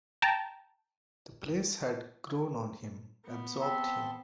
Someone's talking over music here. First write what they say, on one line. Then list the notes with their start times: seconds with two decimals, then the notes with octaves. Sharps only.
The place had grown on him, absorbed him.
0.22 G5 A5 A#5
3.26 B3
3.61 C4 E5 A5 C6